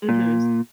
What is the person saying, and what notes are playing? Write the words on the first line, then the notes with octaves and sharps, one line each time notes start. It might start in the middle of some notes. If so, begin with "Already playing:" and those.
Mhm. S
A#2